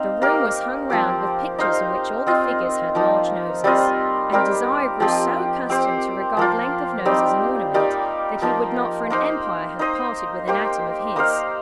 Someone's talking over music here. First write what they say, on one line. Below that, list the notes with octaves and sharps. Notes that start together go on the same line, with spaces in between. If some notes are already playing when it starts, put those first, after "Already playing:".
The room was hung round with pictures in which all the figures had large noses; and Desire grew so accustomed to regard length of nose as an ornament, that he would not for an empire have parted with an atom of his.
Already playing: C4 D#4 F5
A#3 G4 A#4
F3 C4 G4
D#4 C5 F5
C4 F4 D#5
F3 A#3 D#4
G3 C4 F4 D#5
G3 C4 G4 A#4
F3 C4 G4 D#5
C4 G4 C5
F3 A#3 F4
G3 C4 D#4 G4
G3 A#3 D#4 G4
F3 A#3 D#4
A#3 D#4 C5
D#4 C5 D#5
A#3 G4 C5
A#3 D#4 C5 F5